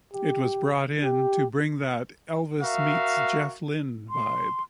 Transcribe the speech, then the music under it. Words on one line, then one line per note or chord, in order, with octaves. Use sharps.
It was brought in to bring that Elvis meets Jeff Lynn vibe.
G4
G4
F#4 A#4 E5 F5
C6